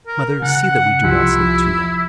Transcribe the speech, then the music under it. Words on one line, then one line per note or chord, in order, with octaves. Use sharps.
Mother, see that we do not sleep too long.
A#4
C#3 F#5
C2 F3 E4